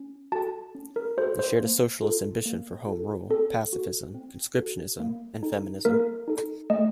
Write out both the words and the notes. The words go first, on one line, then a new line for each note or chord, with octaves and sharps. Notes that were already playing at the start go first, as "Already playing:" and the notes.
They shared a socialist ambition for home rule, pacifism, conscriptionism and feminism.
Already playing: C#4
F#4 A4 A5
C#4
A#4
F#4 A4 C5
C5
A#3
F4 A4
A#3
F4 A4
C4 A4
F#4 A4
C4
A4
F#4
A#3
D#4 A4
A#3 A#4
D#4 A4
A3 D#5